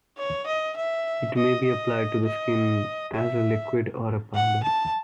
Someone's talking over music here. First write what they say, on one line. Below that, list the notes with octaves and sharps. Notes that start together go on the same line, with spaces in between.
It may be applied to the skin as a liquid or a powder.
C#5
D#5
E5
D#5
D#5
D#5
E5
F#5
A5